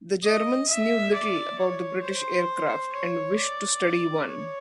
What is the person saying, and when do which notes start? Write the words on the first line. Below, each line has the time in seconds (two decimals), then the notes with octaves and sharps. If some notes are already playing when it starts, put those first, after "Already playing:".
The Germans knew little about the British aircraft and wished to study one.
0.24 D#5
0.68 E5
1.13 D5
1.58 C#5
2.03 C5
2.93 C#5
3.37 D5
4.27 C#5